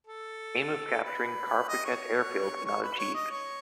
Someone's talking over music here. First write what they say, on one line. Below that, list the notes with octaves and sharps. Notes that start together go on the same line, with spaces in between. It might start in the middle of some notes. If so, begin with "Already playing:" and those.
Aim of capturing Carpiquet airfield not achieved.
A4
B4
D#5
C#5
C#5
B4
C#5
D#5
C#5